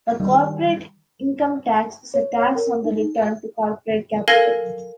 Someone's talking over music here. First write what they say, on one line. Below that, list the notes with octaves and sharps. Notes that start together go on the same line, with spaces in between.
The corporate income tax is a tax on the return to corporate capital.
D#3 G3
C#5
C#5
A#4
D#4
A4 A#4 F5 G#5 G#6 A#6